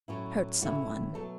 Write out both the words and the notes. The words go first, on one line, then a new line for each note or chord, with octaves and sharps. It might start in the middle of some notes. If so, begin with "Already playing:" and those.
Hurt someone.
A2 F#3 C#4 E4
A2 A3 C#4 E4 F#4
B2 F#3 A3 A4